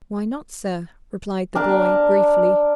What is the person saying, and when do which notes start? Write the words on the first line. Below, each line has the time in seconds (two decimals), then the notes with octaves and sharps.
"Why not, sir?" replied the boy briefly.
1.55 D4 A#4 A5